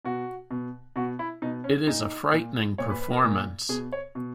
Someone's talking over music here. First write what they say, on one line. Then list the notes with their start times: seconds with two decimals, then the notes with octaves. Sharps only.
It is a frightening performance.
0.05 B2 F#4
0.51 B2
0.96 B2 F#4
1.19 E4
1.42 B2 D#4
1.64 C#4
1.87 A#2 D#4
2.32 A#2
2.78 A#2 C#5
2.90 B4
3.01 B4
3.12 A#4
3.25 A#2
3.69 B2 G#4
3.92 C#5
4.15 B2